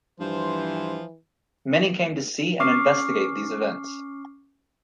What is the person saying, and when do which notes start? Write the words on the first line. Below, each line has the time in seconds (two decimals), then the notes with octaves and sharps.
Many came to see and investigate these events.
0.20 G2 E3 F3 C5
2.60 C#4 C#6 D6 F6 C7